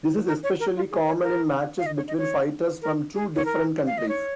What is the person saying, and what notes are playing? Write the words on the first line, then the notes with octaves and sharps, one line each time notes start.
This is especially common in matches between fighters from two different countries.
A#4
C#5
A#4
F4
G#4
C#5
A#4
F5
D#5
C#5
D#5
C#5
A#4
G#4
C#5
A#4
F5
D#5
C#5